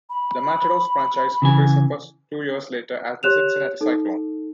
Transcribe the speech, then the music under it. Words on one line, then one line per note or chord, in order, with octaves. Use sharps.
The Matadors franchise would resurface two years later as the Cincinnati Cyclones.
B5
C#3 E3 G#5
G4 C#5 F#6 E7 F7
D#4 A4